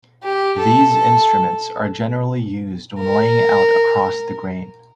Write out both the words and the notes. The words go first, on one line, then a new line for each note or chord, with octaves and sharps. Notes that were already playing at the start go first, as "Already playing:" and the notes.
These instruments are generally used when laying out across the grain.
G4
A4
A4
A#4